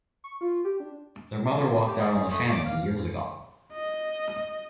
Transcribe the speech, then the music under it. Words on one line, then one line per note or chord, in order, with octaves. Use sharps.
Their mother walked out on the family years ago.
C#6
F4
G4
D4
F4
G4
G#4
A3
D6
F5
D#5